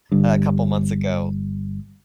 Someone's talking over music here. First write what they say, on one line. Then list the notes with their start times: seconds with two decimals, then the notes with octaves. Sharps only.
A couple months ago
0.12 G1 G2